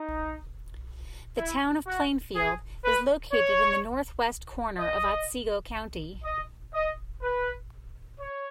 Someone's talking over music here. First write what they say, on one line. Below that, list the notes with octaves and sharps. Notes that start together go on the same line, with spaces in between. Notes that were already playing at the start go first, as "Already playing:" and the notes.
The Town of Plainfield is located in the northwest corner of Otsego County.
Already playing: D#4
E4
F#4
G#4
B4
C#5
D#5
D#5
D#5
B4
C#5